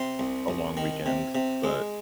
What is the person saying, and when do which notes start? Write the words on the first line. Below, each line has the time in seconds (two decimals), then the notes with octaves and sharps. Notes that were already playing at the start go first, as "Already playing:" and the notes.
a long weekend. But,
Already playing: C3 C6
0.19 C2
0.48 C2
0.77 D#3
1.06 C3
1.35 C3
1.64 G#3